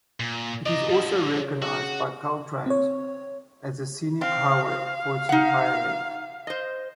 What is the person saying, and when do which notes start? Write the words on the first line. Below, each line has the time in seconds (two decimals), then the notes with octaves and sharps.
It is also recognized by Caltrans as a scenic highway for its entire length.
0.20 A#2
0.66 D5 D#5 A#5
0.89 D3 F3
1.36 C#3
1.62 F#4
2.66 C4 C#5
4.21 C4 F5
4.68 F5
5.29 D#4 F#5
6.47 C5 D#5